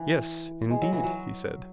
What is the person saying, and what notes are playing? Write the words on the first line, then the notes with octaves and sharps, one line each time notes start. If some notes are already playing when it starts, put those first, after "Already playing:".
Yes, indeed, he said.
Already playing: E3
G#3
F#3
E3
F#3